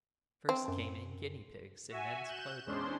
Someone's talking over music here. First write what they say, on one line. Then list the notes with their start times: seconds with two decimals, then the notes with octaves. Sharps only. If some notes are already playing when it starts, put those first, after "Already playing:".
First came in guinea pigs in men's clothing.
0.49 C4
0.68 F#2
1.90 F#4 E5 G#5
2.28 F#6 G6 E7
2.66 E2 G#3 C#4 D4 C5 C6